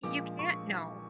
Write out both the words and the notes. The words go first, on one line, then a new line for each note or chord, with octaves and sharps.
you can't know.
A#1 A#2 F3 G#3 D6
C#6